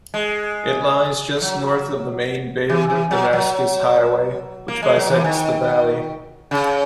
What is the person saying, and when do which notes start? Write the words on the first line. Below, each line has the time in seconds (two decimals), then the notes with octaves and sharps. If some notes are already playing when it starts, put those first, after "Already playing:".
It lies just north of the main Beirut-Damascus highway, which bisects the valley.
0.14 G#3
1.42 F#3
2.69 E3
2.90 E3
3.11 F#3
3.33 F#3
4.68 A#3
4.83 G#3
4.96 F#3
5.10 E3
5.24 D#3
6.51 C#3